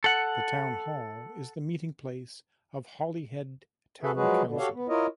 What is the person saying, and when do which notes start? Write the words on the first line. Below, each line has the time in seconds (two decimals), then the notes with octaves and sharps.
The town hall is the meeting place of Holyhead Town Council.
0.04 A4 F#5
4.03 F#4 G#4 A4 B4 E5
4.16 F3 F#3 G#3 F#4 G#4 B4
4.45 B2 D3
4.58 F#4 G4 A4 C#5 F5
4.74 B3
4.89 E4 F4 A#4 C#5 D#5